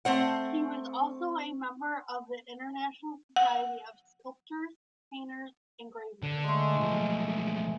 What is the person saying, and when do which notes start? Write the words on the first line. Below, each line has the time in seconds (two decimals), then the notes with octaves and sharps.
He was also a member of the International Society of Sculptors, Painters and Gravers.
0.05 A3 C4 C5 F#5
3.36 F#5
6.23 D3
6.44 G#3 A3
6.76 B1 F3